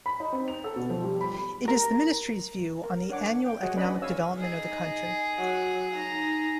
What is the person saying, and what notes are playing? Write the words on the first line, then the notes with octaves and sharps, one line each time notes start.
It is the ministry's view on the annual economic development of the country.
B5
D#4
C4
F7
A4
B2
F3
G3
B5
A#4
A#4
D4 C#5 F#5 D6
G5
F#4 G#4 C#5 D#5 F#5
C#4 D4 B4 D5 D#5 B5
C#5 F5 G#5 E6
D#4 G#4
F#3
D#4 A#5